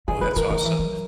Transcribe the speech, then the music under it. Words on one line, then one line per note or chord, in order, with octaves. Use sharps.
Oh, that's awesome.
D#3 G#4
C#3
D#3 B4
D#3 A#4
E3 A#4
D#3
E3
F#3